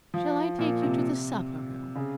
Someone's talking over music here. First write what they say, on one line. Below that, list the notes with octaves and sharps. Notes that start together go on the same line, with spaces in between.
Shall I take you to the supper-room?'
F3
A#2
C3
C#3